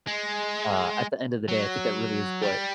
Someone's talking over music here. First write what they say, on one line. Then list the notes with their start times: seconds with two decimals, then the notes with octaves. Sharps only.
uh, at the end of the day, I think that really is what
0.07 G#3
1.48 F#3
2.42 G3